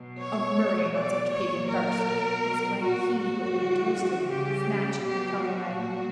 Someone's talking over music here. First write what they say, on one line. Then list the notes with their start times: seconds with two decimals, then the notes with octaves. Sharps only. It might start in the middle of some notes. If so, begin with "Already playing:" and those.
"A murrain on such pagan thirst!" exclaimed he who had been toasted, snatching the cup away.
Already playing: B2 F#3
0.21 C#5
0.58 B2 F#3
0.95 D5
1.32 F#3 C#5
1.37 A#2
1.70 A#4
2.07 B2 F#3
2.80 A#2 F#3 F#4
3.18 F#4
3.55 C#3 E3 G3
4.29 C#3 G3 G4
5.03 B2 F#3 G4
5.40 F#4
5.77 A#2 G3